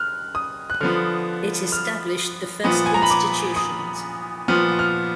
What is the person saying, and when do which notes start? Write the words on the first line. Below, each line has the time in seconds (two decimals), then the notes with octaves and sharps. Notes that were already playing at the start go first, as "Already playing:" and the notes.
It established the first institutions.
Already playing: F6 F#6
0.35 D#6
0.70 F#6
0.81 D3 F3 B3 F6
1.72 F6
2.64 A#2 F3 B3 D#6
2.86 G#5
2.94 A#5
3.02 B5
3.10 D6
3.56 D#6
4.48 A#2 F3 B3 F6
4.79 F6